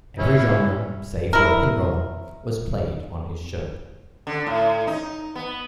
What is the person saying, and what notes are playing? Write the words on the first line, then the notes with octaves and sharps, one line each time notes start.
Every genre save rock and roll was played on his show.
C#4 E4
E4 A#4
D3
A2
D#4
B3